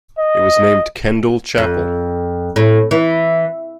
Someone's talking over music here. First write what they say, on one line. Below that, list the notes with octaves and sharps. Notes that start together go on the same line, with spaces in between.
It was named Kendall Chapel.
D#5
F2
A2
E3